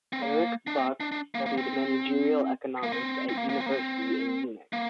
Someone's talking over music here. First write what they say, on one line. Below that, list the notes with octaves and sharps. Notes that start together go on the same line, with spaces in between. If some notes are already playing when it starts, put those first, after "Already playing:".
Erich Buck studied managerial economics at university in Munich.
C4
A#3
D4
C4
D4
D4
A#3
A#3
C4
A#3
C4
C4
A#3
A#3
C4
A#3
C4
A#3